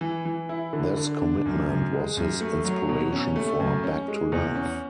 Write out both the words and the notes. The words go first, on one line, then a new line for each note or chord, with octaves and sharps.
This commitment was his inspiration for “Back to Love”.
E3
E3
E4
D3
D3
D4
F#2
F#2
G#3
F#2
A3
F#3
B2
C#4
A3
F#2
C#4
G#3
E2
C#4